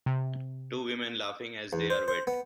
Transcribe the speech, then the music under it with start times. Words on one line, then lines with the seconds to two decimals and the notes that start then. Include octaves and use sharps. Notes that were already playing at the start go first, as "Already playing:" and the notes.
Two women laughing as they are wet.
0.06 C3
1.73 E2
1.90 C5
2.08 C5
2.27 B3